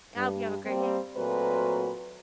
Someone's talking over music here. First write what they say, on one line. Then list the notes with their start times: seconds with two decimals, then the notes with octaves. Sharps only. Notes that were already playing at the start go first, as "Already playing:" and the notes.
I hope you have a great day.
0.16 G2
0.66 G3 A#3 C4
1.17 A#2 F#3 A3 C4 F#4 B4